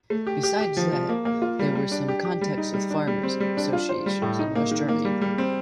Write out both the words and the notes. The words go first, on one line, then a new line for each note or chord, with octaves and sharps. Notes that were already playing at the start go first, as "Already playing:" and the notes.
Besides that, there were some contacts with farmers' associations in West Germany.
A3
G4
G4
G4
F3
F3
A#3
A#3
F4
G3
G3
D4
G4
G4
G3
D#4
G3
D4
G3
C4
G3
D4
F4
C5
G3
A2
D#4
A#3
D#3
A#3
G3
G3
C4